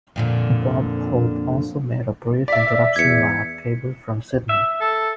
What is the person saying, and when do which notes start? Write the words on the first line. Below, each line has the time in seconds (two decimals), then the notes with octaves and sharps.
Bob Hope also made a brief introduction via cable from Sydney.
0.16 F2 A#2 D3
2.48 D5 E5 B6
2.96 E2 G#6 C#7
4.49 E5
4.81 A4